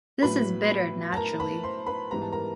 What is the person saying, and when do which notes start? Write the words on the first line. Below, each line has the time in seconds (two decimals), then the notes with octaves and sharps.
This is bitter naturally.
0.22 A2 F#3 B3 B4 B5
1.12 A5
1.17 A#4 A#5
1.40 B4 B5
1.63 C5 C6
1.86 B4 B5
2.11 G#2 E3 G3 B3 A#5
2.22 A5
2.32 A#4 A#5